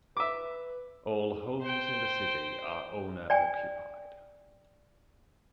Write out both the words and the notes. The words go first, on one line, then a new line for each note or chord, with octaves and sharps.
All homes in the city are owner occupied.
B4 E5 D6
C5 G5
D5 G5 G#5